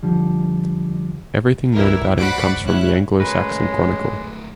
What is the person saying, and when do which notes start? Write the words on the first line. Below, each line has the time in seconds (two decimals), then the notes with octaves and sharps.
Everything known about him comes from the "Anglo-Saxon Chronicle".
0.03 F2 D3 F3 G3
1.74 C#2 G2 E3 E4 A#4
2.18 F#4 C5 D5 F#5 B5 D6
2.63 G3 C#4 E4 F#6
3.20 F#3 G#3 A3 C#4 F#4 A#4 B4